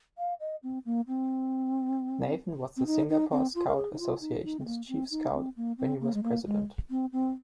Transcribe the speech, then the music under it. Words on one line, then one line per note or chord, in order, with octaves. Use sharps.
Nathan was the Singapore Scout Association's Chief Scout when he was President.
F5
D#5
C4
A#3
C4
C4
D#4
D#4
C4
F4
A#4
G#4
D#4
F4
D#4
D#4
C4
A#3
C4
D#4
C4
A#3
C4
A#3
G#3
A#3
G#3
C4
C4